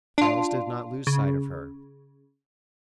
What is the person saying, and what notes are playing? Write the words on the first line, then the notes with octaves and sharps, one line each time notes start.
Charles did not lose sight of her.
D4 F4
C#3